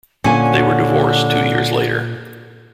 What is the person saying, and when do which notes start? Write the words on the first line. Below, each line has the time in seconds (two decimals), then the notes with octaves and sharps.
They were divorced two years later.
0.24 A#2 D3 C#4 G#5